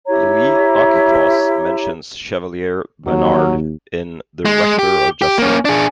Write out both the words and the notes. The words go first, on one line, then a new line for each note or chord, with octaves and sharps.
Louis Auchicloss mentions Chevalier Baynard in "The Rector of Justin".
E4 G4 C#5 A#5
D#2 F#3
G#3
G4
G4
A#3 C#4
D4 G#4